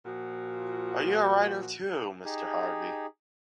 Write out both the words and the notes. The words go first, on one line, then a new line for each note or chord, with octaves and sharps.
Are you a writer too, Mr. Harvey?
A#2 F3 F#4
D#4 G4 G#4